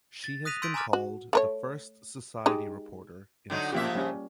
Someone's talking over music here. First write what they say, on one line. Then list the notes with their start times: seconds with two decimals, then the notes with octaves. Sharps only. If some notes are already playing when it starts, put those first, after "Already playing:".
She has been called the first society reporter in Sweden.
0.24 A6
0.45 D#6 F#6 A#6 B6 D#7 F7
0.62 C6 E6 G6 A6 B6 D7
0.74 G#5 A#5 C6 D6 F6 A6
0.93 F#4
1.33 A3 A#4 C#5
2.46 G#3 D#4 G4
3.50 D3 F#3 D#4
3.73 C#3 F3 A#3 F4 G4 E5
3.95 G3 C#4